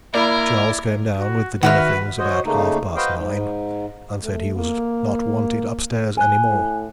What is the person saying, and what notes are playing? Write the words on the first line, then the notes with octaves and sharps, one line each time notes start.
Charles came down with the dinner things about half-past nine, and said he was not wanted upstairs any more.
A#3 E4 A#4 D5 B5
F#4
D#3 F#4 B4 E5 F6
F#4 C5 C#5 D#5
C#3 A3 A#3 D#4
F#4 B4 C5 D#5 F5 G5
G#2
A3
A#3
G#5 F#6
A2